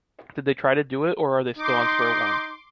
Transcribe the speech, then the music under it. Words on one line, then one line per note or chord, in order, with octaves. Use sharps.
Did they try to do it or are they still on square one?
D#4 C6 D6